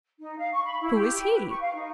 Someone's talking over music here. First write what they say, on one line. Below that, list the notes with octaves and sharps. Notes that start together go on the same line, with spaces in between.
"Who is he?"
D#4
F5
C#6
B5
E4
G4
G5
B4
C#6
F5
D#4